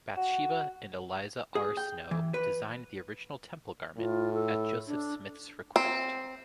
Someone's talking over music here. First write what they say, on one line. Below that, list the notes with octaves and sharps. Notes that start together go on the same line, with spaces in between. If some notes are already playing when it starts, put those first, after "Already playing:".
Bathsheba and Eliza R. Snow designed the original temple garment, at Joseph Smith's request.
F#4
G#4
G5
E3
B4
A2 F4
A4
D4
C4